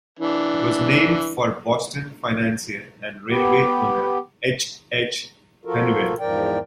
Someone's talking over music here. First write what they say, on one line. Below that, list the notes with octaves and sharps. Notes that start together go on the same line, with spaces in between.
It was named for Boston financier and railway owner H. H. Hunnewell.
E3 D4
B3 G4
F3 F4 F#4 A4 A#4
E2 G#2 F3 A#4 D5 G5